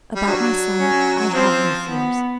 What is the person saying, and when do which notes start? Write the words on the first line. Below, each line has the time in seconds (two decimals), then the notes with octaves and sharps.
About my son, I have no fears.
0.16 G3
0.26 F#3 D4
0.80 C#4
1.30 F#3
1.34 F3 C4
1.88 B3